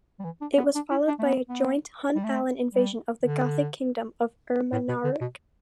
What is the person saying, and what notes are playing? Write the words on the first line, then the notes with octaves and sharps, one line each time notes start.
It was followed by a joint Hun-Alan invasion of the Gothic kingdom of Ermanaric.
G3
E3
D4
B3
D4
E4
D4
A3
B3
B3
G3
A3
G3
D3
A2
B2
D3
B2